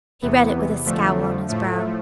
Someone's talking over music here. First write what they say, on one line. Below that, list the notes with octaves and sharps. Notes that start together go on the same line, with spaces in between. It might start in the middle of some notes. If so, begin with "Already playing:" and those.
He read it with a scowl on his brow.
E2 C3 E3 B3
F2 D3 F3 A3
A2 F3 A3